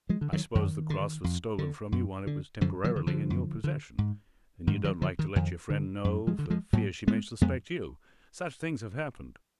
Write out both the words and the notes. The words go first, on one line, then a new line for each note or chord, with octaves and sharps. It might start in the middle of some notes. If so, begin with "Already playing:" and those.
I suppose the cross was stolen from you while it was temporarily in your possession, and you don't like to let your friend know, for fear she may suspect you. Such things have happened.
F3 G#3
D3
D#3 F#3
F#2 D#3
D3
F2
D3
F#2
D3
F#2 D3 F3
D#3 F#3
D3
D3 F3
F#2
D3
G#2
G#2 D#3
D#3 F#3
D3 F3
D#3
F2 D#3
D3
F#2
F3 G#3
D3
F3 G#3
G#2 F#3 A#3
G#3 B3
F2 G#3 B3